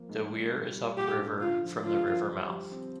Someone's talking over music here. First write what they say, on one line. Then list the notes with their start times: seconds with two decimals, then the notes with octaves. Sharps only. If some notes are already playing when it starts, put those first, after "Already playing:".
The weir is upriver from the river mouth.
Already playing: F3 A#3
0.09 G#2
0.31 G#2
0.53 G3
0.75 G3
0.96 A#2 G4
1.18 D4
1.40 D3 F4
1.63 F3
1.83 D3 F4
2.06 F3
2.27 G3
2.49 G4
2.72 C4